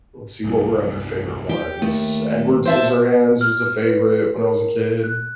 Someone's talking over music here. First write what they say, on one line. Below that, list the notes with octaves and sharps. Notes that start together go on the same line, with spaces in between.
let's see what were other favorite ones. Edward Scissorhands was a favorite when I was a kid.
F1 C2 G2
G4
D#2 A3
C5 E5 A5
F6
B4
A#4
F#6